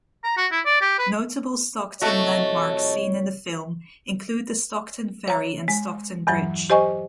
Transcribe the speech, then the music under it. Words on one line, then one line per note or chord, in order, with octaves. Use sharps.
Notable Stockton landmarks seen in the film include the Stockton Ferry and Stockton Bridge.
A#5
F#4
E4
D5
G4
B4
C2 F2 A3 F#4 C#5 D#5
C#5 A#5
G#3
E2 G2 E3 F#3
G4 C5 D#5 G#5 C#6